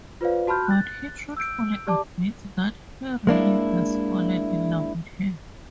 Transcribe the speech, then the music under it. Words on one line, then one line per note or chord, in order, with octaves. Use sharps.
But he truthfully admits that he really has fallen in love with her.
F4 B4 C5 D5 F5
F#4 A5 B5 C6 F6 G6
F#6 A6
E6 G6 D7
G4 D5 A5 D6
G#3 A#3 D4 E4